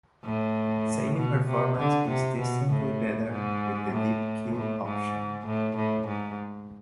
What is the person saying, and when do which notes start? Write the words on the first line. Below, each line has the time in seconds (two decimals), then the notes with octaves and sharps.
Sailing performance is distinctly better with the deep keel option.
0.24 A2
1.17 B2
1.47 C3
1.79 D3
2.09 C3
2.39 B2
2.70 A2
3.31 G#2
3.93 A2
4.55 A2
4.85 G#2
5.46 A2
5.77 A2
6.07 G#2